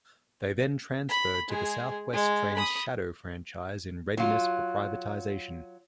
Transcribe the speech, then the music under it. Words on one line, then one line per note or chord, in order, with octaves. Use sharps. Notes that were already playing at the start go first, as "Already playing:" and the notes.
They then transferred to the South West Trains shadow franchise in readiness for privatisation.
B5
G#3 G#4
G#3
B5 D#6
F#3 F4